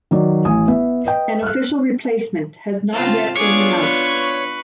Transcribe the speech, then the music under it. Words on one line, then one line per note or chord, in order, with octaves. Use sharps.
An official replacement has not yet been announced.
D#3 F#3 D5
A1 G#5 D#6
B3 E5
B4 D#5 G5
F6 F#6
C#3 C4 F4 A5
B3 D4 F4 G#4 C#5 D6
B4 C#6